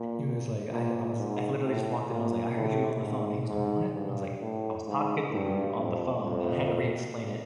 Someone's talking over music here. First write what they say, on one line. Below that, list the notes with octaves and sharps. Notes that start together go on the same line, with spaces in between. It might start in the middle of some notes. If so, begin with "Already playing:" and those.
He was like I I was I literally just walked in. I was like, "I heard you on the phone." He was like, "What?" I was like, "I was talking to you on the phone," and I had to re-explain it-
Already playing: A#2
A#2
G#2
A2
A#2
A2
G#2
G#2
G2
A2
G#2
G2
F2
F2